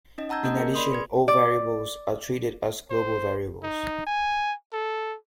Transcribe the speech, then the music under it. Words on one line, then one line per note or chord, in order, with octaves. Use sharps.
In addition, all variables are treated as global variables.
C#4 D#4 D#5
F#5 A5 A#5 E6 G6 G#6
A#3 C#4 D#5 G6
G#4 A#4
D5 B5 C6 D#6
G#4 B4 G#6
D5
C5
D#4
G#5
A4